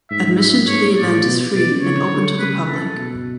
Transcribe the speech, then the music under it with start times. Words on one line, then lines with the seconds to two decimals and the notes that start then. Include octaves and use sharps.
Admission to the event is free and open to the public.
0.11 G#2 E5
0.39 E5
0.67 G#2 C#5
0.96 A2 D5
1.25 B2
1.53 B2 D5
1.81 C#3 C#5
2.10 D3
2.39 C#3 B4
2.67 A4
2.96 B2